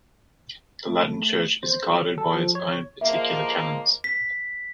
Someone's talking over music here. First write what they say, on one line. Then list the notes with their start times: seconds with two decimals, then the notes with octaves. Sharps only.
The Latin Church is guided by its own particular Canons.
0.87 A3
1.63 C5
1.88 F#3
2.18 A4
2.34 F3
2.55 C#5
3.01 F3 G#3 A#3 E5
4.04 B6